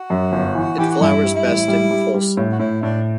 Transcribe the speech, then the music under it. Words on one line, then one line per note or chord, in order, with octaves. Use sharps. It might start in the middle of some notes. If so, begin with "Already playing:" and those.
It flowers best in full sun.
Already playing: F#4
F#2
G1
E3
E3 G4
F#4
G2 E4
G3
E4
A1
G3
G3
G3
A2
F#4
A2 E4
A2 D4